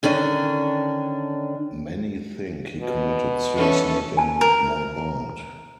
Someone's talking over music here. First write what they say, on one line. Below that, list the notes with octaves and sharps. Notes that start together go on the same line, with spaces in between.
Many think he committed suicide in Montbard.
D3 D#3 C#4 D4
B2
E3 C#4 A4
G#5 A5
A#4